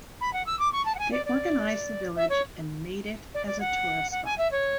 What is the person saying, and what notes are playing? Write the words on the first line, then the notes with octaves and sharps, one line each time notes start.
They organized the village and made it as a tourist spot.
B5
F#5
E6
D6
C#6
A5
F#5
G#5
D5
D5
E5
C#5
D5
D5
F#5
F#5
G#5
E5
C#5